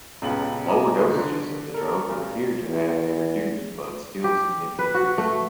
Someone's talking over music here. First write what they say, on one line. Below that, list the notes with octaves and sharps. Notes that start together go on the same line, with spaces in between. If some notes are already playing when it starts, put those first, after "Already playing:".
Lower dosages of the drug appear to have a reduced but still significant risk.
D#1 C#2 B3 F#7
D#5 G#5 A#5 D6
G#2 D#3 G#3
D3
A4 A#4
D2 G2
E2
G4
B4
F#4
A3